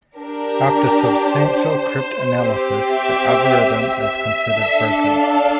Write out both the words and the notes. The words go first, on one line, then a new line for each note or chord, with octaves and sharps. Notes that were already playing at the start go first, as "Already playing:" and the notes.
After substantial cryptanalysis, the algorithm is considered broken.
D4 G4 A#4
C5
C4 G4
E5
E5
D4 A4
F5